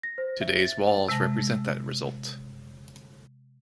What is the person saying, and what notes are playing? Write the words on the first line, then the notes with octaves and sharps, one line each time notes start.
Today’s walls represent that result.
A#6
C5
E5
A6
C3 G#3 A5 A#6